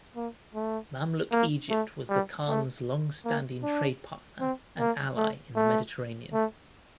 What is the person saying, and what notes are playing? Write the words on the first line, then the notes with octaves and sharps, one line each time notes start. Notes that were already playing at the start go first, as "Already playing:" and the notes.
Mamluk Egypt was the Khans' long-standing trade partner and ally in the Mediterranean.
A#3
A3
A#3
A3
G3
A3
A#3
D4
C4
A#3
A3
A3
A3